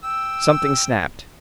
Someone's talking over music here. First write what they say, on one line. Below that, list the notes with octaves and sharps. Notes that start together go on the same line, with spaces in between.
Something snapped.
G5 E6